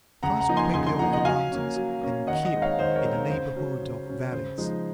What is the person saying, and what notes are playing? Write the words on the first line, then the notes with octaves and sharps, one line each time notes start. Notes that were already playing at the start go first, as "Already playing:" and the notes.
Pass quickly over mountains, and keep in the neighborhood of valleys.
C#3 F#5 A#5
F#5 A#5
F3 A#3 D#4
G#5 C6
C#3 G#5 C6
G#5 C6
F3 A#3 D#4 F#5 A#5
D#5 F#5
F#3 F5 G#5
A#3 C#4
F#3
A#3 C#4
D#3 D#5 F#5
D#5 F#5
G#3 C4 D#4
C#5 F5
D#3 C5 D#5
A#4 C#5
G#3 C4 D#4
A#4
C#3 C5
F#3 C#4
C#3
F#3 C#4
C#3 C5
F3 G#3 D#4